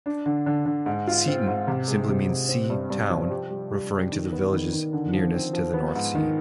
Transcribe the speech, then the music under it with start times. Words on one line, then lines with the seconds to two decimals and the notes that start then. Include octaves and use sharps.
'Seaton' simply means 'sea town', referring to the village's nearness to the North Sea.
0.06 D4
0.26 D3
0.46 D3
0.66 D3
0.86 G#2
1.07 F4
1.27 C4
1.48 G#2
1.68 C3
1.88 G#3
2.08 C3
2.29 C3
2.49 C4
2.70 G2
2.90 G2
3.10 F3
3.30 G4
3.50 G3
3.71 G3
3.92 G4
4.12 D#3
4.33 B3
4.52 D#3
4.73 D#3
4.93 D3
5.13 F3
5.34 C4
5.53 F3
5.74 B3
5.95 G#2
6.15 D#3